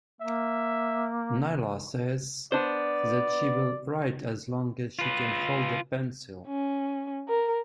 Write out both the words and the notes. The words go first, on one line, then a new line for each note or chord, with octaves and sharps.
Naylor says that she will write as long as she can hold a pencil.
A#3 E5
B3 D4 C5 D5
F4 B4
C#4
A#4